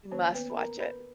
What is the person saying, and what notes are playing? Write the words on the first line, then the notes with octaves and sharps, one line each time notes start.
You must watch it
D#3 A#3 C#4 C#5
B3 B4
B5
A#4 A#5
B4 B5